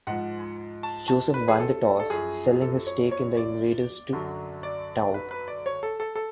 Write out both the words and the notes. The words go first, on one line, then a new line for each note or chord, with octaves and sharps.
Joseph won the toss, selling his stake in the Invaders to Taube.
G#2 F3 F#5
A5
A5
B4
G#4
A4
A4
F#2 F3 G#4
A4
C#5
C#5
D5
F#2 D3 F#3
D5
B4
B4
D5
C#5
A4
A4
A4